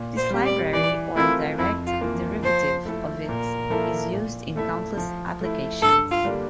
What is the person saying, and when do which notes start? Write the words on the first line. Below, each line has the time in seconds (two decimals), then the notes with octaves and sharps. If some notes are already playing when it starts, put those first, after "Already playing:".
This library or a direct derivative of it is used in countless applications.
Already playing: A#2
0.17 C5
0.30 G3 C4 G4
0.46 D5
0.73 E3 D5
1.15 A3 C4 E4 F4 A#4
1.58 F2 E4
1.87 F4
2.01 E3 A#3 F4
2.43 F3 C5
2.85 A3 E4 A4
3.28 A#2 A#4
3.70 F3 A#3 E4 A4
4.13 A#2
4.56 A3 E4 A4 E5
4.97 F3
5.41 A3 E4
5.82 G2 A4
6.11 F4
6.25 D3 G3 A#3 D4